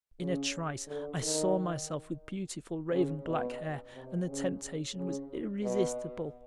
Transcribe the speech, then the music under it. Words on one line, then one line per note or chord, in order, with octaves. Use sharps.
In a trice I saw myself with beautiful raven-black hair and the temptation was irresistible.
C#3
D3
D#3
C#3
B2
C3
C#3
C#3
B2